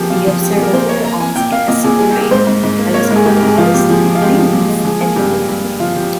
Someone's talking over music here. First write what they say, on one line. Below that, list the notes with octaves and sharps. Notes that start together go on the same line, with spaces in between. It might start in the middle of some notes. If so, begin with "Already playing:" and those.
The observatory owns a Cassegrain telescope housed beneath a dome.
Already playing: F3 A#3 G4 G#4
A#2 F4
F3
F3 G4
G#4
A#2 A#4
A#2 C5
A#3 C#5
A#3 A#5
A#3 G#5
A#2 G5
A#3 F5
A#2 D#5
A#2 G#4
G3 G#4
G4
A#3
G#4
G#2 C5
G#2
G#2
A#3
A#3 C#5
A#4
G#2
G#4
G#2 G4
A#4
G#2 G#4
F3 F4
A#2 G4
F3 G#4
F3
F4
G#3 G4
F3
A#2
G#3
F3 G#4
A#3 G#4
G2 G4
A#3
G2
A#3
F3 F4
F3 G4